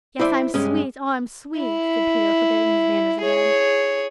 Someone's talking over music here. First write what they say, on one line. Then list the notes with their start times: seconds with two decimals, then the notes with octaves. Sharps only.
"Yes, I'm sweet, oh, I am sweet!" said Peter, forgetting his manners again.
0.19 E4 C5 D5 E5
0.54 G2 G#3 C#4
1.58 E4
3.21 G#4 C#5